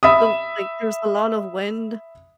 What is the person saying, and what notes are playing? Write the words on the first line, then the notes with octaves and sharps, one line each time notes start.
so, like, there was a lot of wind.
E5 B5 D#6